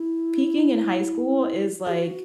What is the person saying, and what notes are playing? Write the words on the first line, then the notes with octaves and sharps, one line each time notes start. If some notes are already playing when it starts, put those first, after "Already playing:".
peaking in high school is, like
Already playing: E4
G#4
F#4